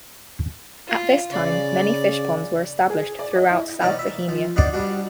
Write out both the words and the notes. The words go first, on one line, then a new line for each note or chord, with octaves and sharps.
At this time many fish ponds were established throughout South Bohemia.
F4
C#3 D5
G#4
D5
D#5
E4
E2 D#3 C#4 D5 A#5
E5
F3
D4 D#4 F#4 C5 D5
G3 D4 F#4